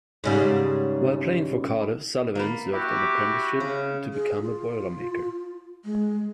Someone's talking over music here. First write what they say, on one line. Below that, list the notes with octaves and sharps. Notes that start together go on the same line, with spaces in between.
While playing for Cardiff, Sullivan served an apprenticeship to become a boilermaker.
G#2 C#3 G3
A#3 A4 B4
E4 F#4 G4
C#3
G#4
F4
G#3